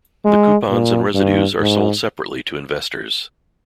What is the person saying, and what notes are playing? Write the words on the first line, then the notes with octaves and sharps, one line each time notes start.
The coupons and residue are sold separately to investors.
G#3
A#2
G2
G#2